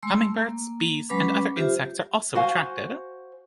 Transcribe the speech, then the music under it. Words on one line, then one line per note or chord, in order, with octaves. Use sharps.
Hummingbirds, bees and other insects are also attracted.
G#3 A3 C6 E6
A#3
F#3 G#3 C#4 B4 B5 D6
F4 G4 C5 E5
F#4 C5 F5 G#5